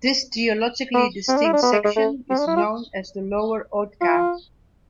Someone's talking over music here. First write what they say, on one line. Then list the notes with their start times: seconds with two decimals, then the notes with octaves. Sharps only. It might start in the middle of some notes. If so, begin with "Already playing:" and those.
This geologically distinct section is known as the lower Oatka.
0.94 B3
1.28 C4
1.37 D4
1.45 E4
1.53 D4
1.63 B3
1.73 G#3
1.84 G#3
1.96 A3
2.30 C4
2.38 D4
2.47 E4
2.56 F4
4.01 F4